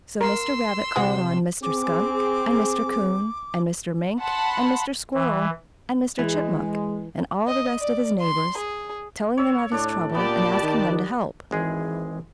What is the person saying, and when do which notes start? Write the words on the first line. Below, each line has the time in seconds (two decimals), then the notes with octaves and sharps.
So Mr. Rabbit called on Mr. Skunk and Mr. Coon and Mr. Mink and Mr. Squirrel and Mr. Chipmunk, and all the rest of his neighbors, telling them of his trouble and asking them to help.
0.21 A#4 C6 E6
0.96 C3 G#3 F#4 F#5
1.63 C4 G#4 D6
4.20 F#5 A5 B5 C6
5.14 E3
6.19 E3 G#3
7.47 D#5
7.81 D5
8.20 C6
8.57 G#4
9.37 C#5 E6
9.71 A2 D4 D5
10.15 A#2 B3 G4 D5 A5
10.62 D#3
11.51 G#1 E3 G#3 G#4